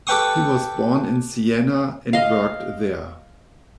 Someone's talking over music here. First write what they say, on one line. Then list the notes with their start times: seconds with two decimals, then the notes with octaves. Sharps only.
He was born in Siena, and worked there.
0.07 G4 A4 B4 G5 C#6 D#6
2.13 D#5 F5